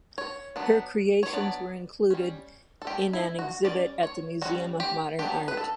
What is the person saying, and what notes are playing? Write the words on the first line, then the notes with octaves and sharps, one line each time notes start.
Her creations were included in an exhibit at the Museum of Modern Art.
C#5
F#3 B3 D4
C#5
F#3 B3 D4 D5
G3 C#4
A4
G3 C#4 G4
E4
F#4
G3 C#4 D5
C#5
G3 C#4 F#4
G4
F#3 B3 D4 G4
B4
A4